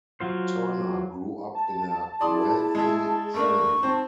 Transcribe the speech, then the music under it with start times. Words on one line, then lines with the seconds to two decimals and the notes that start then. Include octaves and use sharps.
Turner grew up in a wealthy family.
0.20 F#3 F4 C5
1.55 A5
2.21 E4 G#4 D5 C6 D#6
2.75 G#3 E5
3.34 A3 A#3 D4 C#6
3.83 C4 D#4 A5